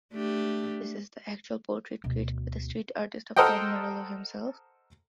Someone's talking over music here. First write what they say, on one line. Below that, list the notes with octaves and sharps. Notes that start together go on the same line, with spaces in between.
This is the actual portrait created by the street artist of Tom Morello himself.
A3 D4 G4
D2 B2
A4 A#4 C5 D#5 F#5 G5